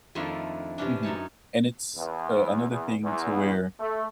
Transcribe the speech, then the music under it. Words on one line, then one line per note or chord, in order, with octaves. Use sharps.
Mhm, and it's, uh, another thing to where,
F2 D#3 A3 D4 E4 F4
C3 E3 C#4 D4
F#2 D#4 C#5 A5
E2
E2
E2
A3